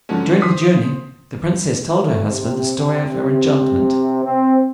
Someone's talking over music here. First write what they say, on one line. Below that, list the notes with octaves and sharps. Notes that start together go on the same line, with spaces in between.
During the journey, the Princess told her husband the story of her enchantment.
G#2 D3 F3 F#3 C#4
C5 D#6 B6 C7
A3
C3
C4